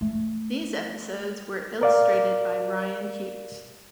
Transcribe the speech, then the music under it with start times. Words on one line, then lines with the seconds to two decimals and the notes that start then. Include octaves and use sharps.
These episodes were illustrated by Rian Hughes.
0.01 A3
1.81 A#4 D5 F5